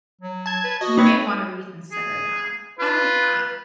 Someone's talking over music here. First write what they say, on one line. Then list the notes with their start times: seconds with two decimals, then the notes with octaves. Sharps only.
you may wanna reconsider that. I like that.
0.21 F#3
0.46 A5 G#6
0.64 B4
0.81 F#4 D#5
0.98 C4 D#4 B4 C#5
1.92 G#4
2.79 F4 B4